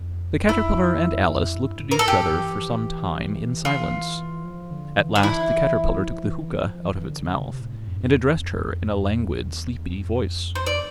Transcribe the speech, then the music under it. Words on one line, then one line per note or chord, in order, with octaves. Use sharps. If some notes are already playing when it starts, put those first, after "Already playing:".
The Caterpillar and Alice looked at each other for some time in silence: at last the Caterpillar took the hookah out of its mouth, and addressed her in a languid, sleepy voice.
Already playing: F2
E4
F2
G2
A2
A#4
A4
G2 G4
E3
F3
E3
F4
F3
D3
E3
D3 D4
E3 E4
F3
F3
E3
F3
E3
E3
D3
C3
A2
F2
G2
F2
E2
F2
F2
F2
E2
F2
C5
D5